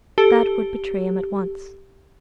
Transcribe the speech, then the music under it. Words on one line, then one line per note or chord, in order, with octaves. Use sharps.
That would betray him at once.
G4 A4